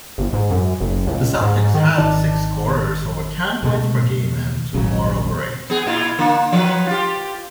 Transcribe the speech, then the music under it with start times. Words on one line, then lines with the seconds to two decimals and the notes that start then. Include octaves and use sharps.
The Celtics had six scorers over ten-points per game and two more over eight.
0.18 G1
0.33 G#2
0.51 F#2
0.81 F#1
1.07 C#2
1.41 G#2
1.74 D#3
1.98 G#1 D#3 D#4 D5 A5
3.63 C#2 B2 A3
4.74 D#1 A#1 C#3 F#3
5.70 B3 G#4
5.87 A#2 E4 F4
6.19 D3 A#3
6.52 F3 F#3 B4
6.87 F4 G4